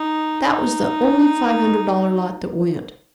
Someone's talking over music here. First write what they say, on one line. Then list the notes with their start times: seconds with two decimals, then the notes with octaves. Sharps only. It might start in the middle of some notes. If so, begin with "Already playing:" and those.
That was the only five-hundred-dollar lot that went.
Already playing: D#4
0.46 D#4